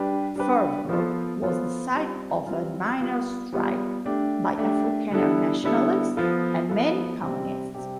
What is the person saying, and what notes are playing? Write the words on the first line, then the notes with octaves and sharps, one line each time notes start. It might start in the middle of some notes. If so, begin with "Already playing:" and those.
Fordsburg was the site of a miners strike by Afrikaner nationalists and many Communists.
Already playing: G3 D4 G4 B4
G3 D4 G4 B4
F3 B3 F4 A4 C5
F3 B3 F4 A4 C5
G3 C4 F4
G3 C4 F4
G3 B3 F4
G3 B3 F4
A3 D4 G4
A3 D4 G4
D3 G3 B3 E4 A4
D3 G3 B3 E4 A4
F3 B3 F4 A4
F3 B3 F4 A4
C3 G3 C4 G4
C3 G3 C4 G4